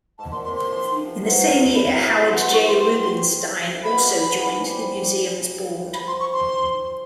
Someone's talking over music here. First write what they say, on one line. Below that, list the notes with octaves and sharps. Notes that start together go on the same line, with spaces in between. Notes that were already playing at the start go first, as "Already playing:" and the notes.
In the same year, Howard J. Rubinstein also joined the museum's board.
G#2 A5
A#2 C6
C3 C6
C3 C6
F3
F3
E3 F#3
B5
A#5
B5
E3 F#3 C6
F3 C6
E3 C#6
C3 C6
C6
B2 B5
C3
C#3
E3 F#3
F3
F3 G3
F3 B5
C6
C#6
C6